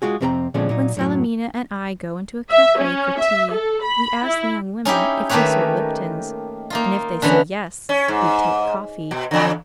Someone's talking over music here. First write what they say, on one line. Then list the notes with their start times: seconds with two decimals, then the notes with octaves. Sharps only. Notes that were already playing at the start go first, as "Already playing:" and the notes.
When Salemina and I go into a cafe for tea we ask the young woman if they serve Lipton's, and if they say yes, we take coffee.
0.02 G#3 F4 F#4 G#4
0.21 F2 C3 C4 A4 G5 A#5
0.54 A#2 D3 F3 G#3 C4 C#4
0.69 A#2 F#3 D#4
0.97 F#2 A2 F#3
2.50 E5
2.79 C#4
3.19 E5
3.51 A4
3.83 B5
4.24 E4
4.85 C#4 D#4 E4 G4
5.29 D#3 A3 A#3 G4 B4 C#5
6.70 A#3 D#4 F4
7.22 D3 E3 B3 C#4
7.89 C#4
8.08 G#2
9.11 B2
9.31 E2 D3